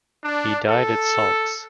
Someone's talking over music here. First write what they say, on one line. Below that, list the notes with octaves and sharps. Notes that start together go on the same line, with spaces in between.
He died at Saulx.
D4
A4